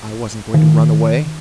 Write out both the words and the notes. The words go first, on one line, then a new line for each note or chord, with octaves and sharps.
I wasn't going to run away.
D#3